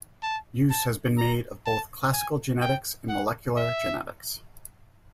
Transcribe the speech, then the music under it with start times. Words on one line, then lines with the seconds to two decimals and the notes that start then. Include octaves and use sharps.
Use has been made of both classical genetics and molecular genetics.
0.23 A5
0.70 A5
1.18 A#5
1.66 A5
2.13 G#5
2.62 G5
3.09 F#5
3.56 E5